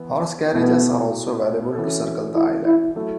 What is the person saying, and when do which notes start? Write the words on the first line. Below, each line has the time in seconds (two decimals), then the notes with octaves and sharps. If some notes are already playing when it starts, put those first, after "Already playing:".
Horse carriages are also available to circle the island.
Already playing: E3 B3 E4
0.54 B2 A3 B3 E4 A4
1.74 E3 C#4 F#4 A4
2.35 E4
2.65 E4
2.95 F#3 A3 E4 A4